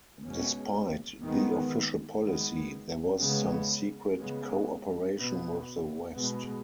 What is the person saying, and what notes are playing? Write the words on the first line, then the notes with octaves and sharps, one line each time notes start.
Despite the official policy, there was some secret co-operation with the West.
B2 G#3 C#4
D#3 G#3 B3
D#3 G#3 B3
C#3 G#3 B3
C#3 G#3 B3
B2 B3
B2 G#3 B3